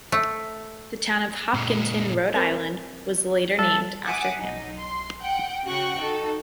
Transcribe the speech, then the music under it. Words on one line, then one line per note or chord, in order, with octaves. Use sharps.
The town of Hopkinton, Rhode Island, was later named after him.
A3
A#2 G#3
C4 A#4 C5
G3 A4
E5 F#5 G#5 D6 D#6
B1 F#3 D#4
C6
F#5 G5 G6
C#3 F#4 F#5 G5 C#6 F#6
D#4 F#4 A4